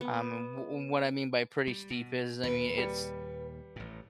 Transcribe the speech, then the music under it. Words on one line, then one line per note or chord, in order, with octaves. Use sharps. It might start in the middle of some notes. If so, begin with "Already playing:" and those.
um, and wh and what I mean by pretty steep is, I mean, it's,
B3
G3
B2
D#2 A#2 B4
G3 C#7
A1 A2